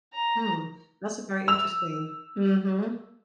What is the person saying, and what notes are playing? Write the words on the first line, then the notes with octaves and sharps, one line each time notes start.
Hmm, that's a very interesting mhm.
A#5
E6 F7